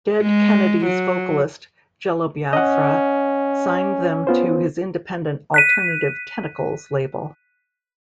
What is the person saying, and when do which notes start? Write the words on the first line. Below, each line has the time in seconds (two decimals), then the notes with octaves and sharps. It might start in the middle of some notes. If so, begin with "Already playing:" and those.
Dead Kennedys vocalist Jello Biafra signed them to his independent Alternative Tentacles label.
0.22 G#3
0.86 F#3
2.53 C#4 D#5 F#5
4.27 B3 F4 C5
5.54 F#6 B6 D#7